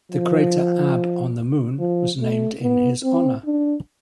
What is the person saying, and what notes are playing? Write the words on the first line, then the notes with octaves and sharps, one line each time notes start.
The crater Abbe on the Moon was named in his honour.
F3
F3
A3
B3
C4
D4